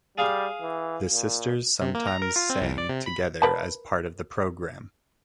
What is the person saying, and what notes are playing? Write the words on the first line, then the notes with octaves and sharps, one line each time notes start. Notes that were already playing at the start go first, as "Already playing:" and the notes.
The sisters sometimes sang together as part of the program.
G3 G#4 F5 G#5
E3
A#2
C3
A#3
A#5
A#4
F4
C4
C2
D5
C3
B5
A#4 B4 A5